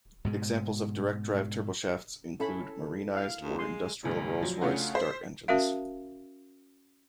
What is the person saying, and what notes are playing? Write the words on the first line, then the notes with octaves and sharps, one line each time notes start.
Examples of direct-drive turboshafts include marinised or industrial Rolls-Royce Dart engines.
G#2 B2 G#3
C#4 E4 A4 B5
F5
D2
G#3 C6
F1 D2 G2
F3 F#3
C#3 A3 C#4 D4 F4 F#4
C5 B6 C7
C#4 F#4 A#4 E5 F5